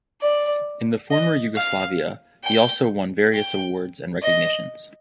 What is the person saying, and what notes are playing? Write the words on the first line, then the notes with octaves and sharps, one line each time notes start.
In the former Yugoslavia he also won various awards and recognitions.
D5
D#5
F5
G5
G5
D#5